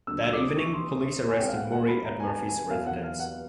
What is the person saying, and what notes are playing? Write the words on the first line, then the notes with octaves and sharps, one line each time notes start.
That evening, police arrested Moore at Murphy's residence.
D2 C#3 F#3 A#3 D4 E6
E6
D6
D#6
C#6
C6
G#5
C2 B2 G#3 C4 E4 G5
F5
F#5
F#5
B5
A#5
G#5
A5
G#5
E2 B2 F#3 B3 E4 F5
F#5
F5
F#5